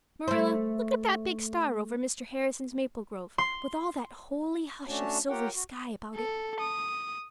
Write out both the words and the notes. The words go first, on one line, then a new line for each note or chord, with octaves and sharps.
Marilla, look at that big star over Mr. Harrison's maple grove, with all that holy hush of silvery sky about it.
A3 C5
C6
A3 C#4 D4 F#4 C#5 A5
F4 G4 A#4 C#5 F#5 G5
F#4
A4
D#6